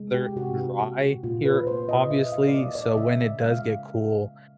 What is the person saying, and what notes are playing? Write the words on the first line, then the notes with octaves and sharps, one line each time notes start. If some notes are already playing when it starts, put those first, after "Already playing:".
rather dry here, obviously, so when it does get cool,
Already playing: C3 G#3
G4
C3 F#4
A#3
A#2 F4
B4
A#3 C5
D#5
A#2 E5
F5
D5
A#3 D#5
D5
C#3 E5
G#3 F5